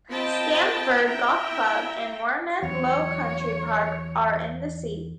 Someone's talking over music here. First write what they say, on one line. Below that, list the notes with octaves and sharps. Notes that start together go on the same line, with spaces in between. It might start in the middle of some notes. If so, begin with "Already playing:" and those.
Stamford Golf Club and Werneth Low Country Park are in the seat.
C4 F4 D#5 G5 A5 B5
E4 E5 G5 A#5
E2 F#3 C#5